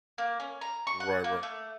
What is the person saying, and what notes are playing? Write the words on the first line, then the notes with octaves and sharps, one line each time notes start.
Right, right.
A#3
C#4
A#5
C#6
F#5
A#3
A3